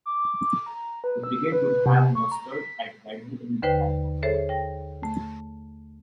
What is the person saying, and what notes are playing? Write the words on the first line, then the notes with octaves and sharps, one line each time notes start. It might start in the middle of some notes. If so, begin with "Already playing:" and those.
The brigade would have mustered at Redhill in time of war.
D6
A#5
B4
E6
B4
C3
C#6
A#5
B6
D#2 D3 B4 C5 G5
G#4 A4 C5 C#5 E5
G5 A#6
A3